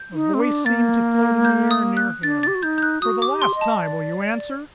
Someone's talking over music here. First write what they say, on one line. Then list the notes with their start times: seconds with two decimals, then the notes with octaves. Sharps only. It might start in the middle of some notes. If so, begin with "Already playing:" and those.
A voice seemed to float in the air near him: "For the last time--will you answer?"
Already playing: G6
0.13 D#4
0.34 C4
0.40 D4
0.65 A#3 A6
1.45 G6
1.71 D#6
1.97 F#6
2.23 D4 A6
2.43 G4 A6
2.55 F#4
2.63 D#4 G6
2.78 G6
2.82 F#6
3.02 F#4 D#6
3.22 D6
3.29 G4
3.42 C6
3.55 D#5
3.61 A5
3.81 D5